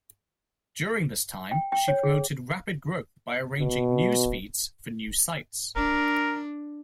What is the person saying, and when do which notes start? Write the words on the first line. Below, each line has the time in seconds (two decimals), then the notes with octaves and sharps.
During this time she promoted rapid growth by arranging news feeds for new sites.
1.51 G5
1.72 G5
1.88 C#5
2.03 G#4
3.60 B2
5.76 D4 A#4